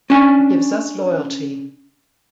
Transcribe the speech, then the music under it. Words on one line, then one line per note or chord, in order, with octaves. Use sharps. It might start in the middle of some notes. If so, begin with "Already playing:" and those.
He gives us loyalty.
C#4 D4 G#5